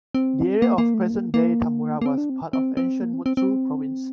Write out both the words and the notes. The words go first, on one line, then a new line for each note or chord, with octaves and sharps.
The area of present-day Tamura was part of ancient Mutsu Province.
C4
A#3
A#3
A3
A#3
A#3
A#3
C4
D4
C4
C4
C4
A#3
C4
C4
C4